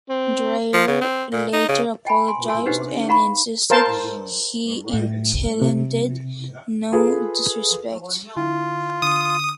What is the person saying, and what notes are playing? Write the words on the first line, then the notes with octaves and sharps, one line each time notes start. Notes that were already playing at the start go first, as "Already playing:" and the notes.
Dreier later apologized and insisted he intended no disrespect.
C4
F3
C#3
C4
A#2
D#4
C#3
D#5 G5 G#5 B5
G#5 C6
A4 E5 G#5 C6 E6
D4 D#4 G4 B4 C5 F#5
D#4 F5 F#5 A#5 B5 C#6
A#4 C5 F5 A5 C6
A2
F#1 C2
C3
F4 G#4 A4 B4
D3 E4 F4
D3 D#6